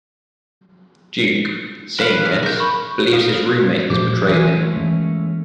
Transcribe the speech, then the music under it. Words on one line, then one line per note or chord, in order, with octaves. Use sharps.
Duke, seeing this, believes his roommate has betrayed him.
B4 F5
G#4 F#6
G#4 A#4 G6
B5 C#6
A#4 F5 D#6
A#2 F3 A3 C5 D6
E3 E5 G#5
G#3 A3 C#4
E3 A#3